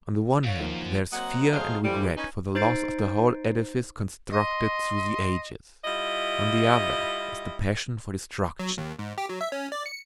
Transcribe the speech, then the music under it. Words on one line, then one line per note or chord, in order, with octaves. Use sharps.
On the one hand there is fear and regret for the loss of the whole edifice constructed through the ages, on the other is the passion for destruction.
F#2 C#5 F5
D#3 F3 A#3
F#3 A#3 C4 D#5 F#5
F#3 A3 G#4 C5 D#5 F5
A2 E3 F3 G3
C#4 D#4 B4
D#4 C5 G6 A6 C7 D7
D#5 C6
G3 E4 F4 D#5
F#3
D#2
G#2
G4
F#3
E5
C#4
D5
C#7